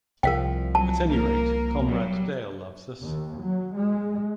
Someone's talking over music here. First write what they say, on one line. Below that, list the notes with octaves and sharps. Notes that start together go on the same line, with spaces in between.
At any rate, Comrade Dale loves us.
C2 F3 A#4 F5 G5
F#3 A5
A#3 A#4
F#3 G3
D#2
F#3
G#3